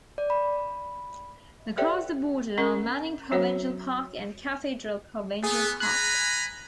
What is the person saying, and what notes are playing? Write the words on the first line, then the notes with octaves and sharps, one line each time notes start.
Across the border are Manning Provincial Park and Cathedral Provincial Park.
D5
B5
G4 A4 C5 D5 E5 G5
C#4 A#4 F#5 C#6
F#3 C#4 F#4 C5 C#5
A3 B3 G#4
G#5 A#5 B5 F#6